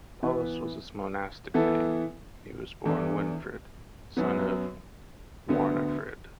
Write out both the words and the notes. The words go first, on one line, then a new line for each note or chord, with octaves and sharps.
Paulus was his monastic name; he was born Winfrid, son of Warnefrid.
E3 B3 E4 B4
E3 B3 E4 A4
E2 E3 D4 A4
F#2 F#3 B3
D2 D3 B3